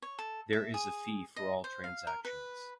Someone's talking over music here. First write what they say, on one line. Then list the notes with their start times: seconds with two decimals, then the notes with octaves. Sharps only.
There is a fee for all transactions.
0.02 C#5
0.19 A4
0.53 E5
0.74 G#4
1.36 D#5
1.64 C5
1.84 F5
2.07 A#4
2.25 B4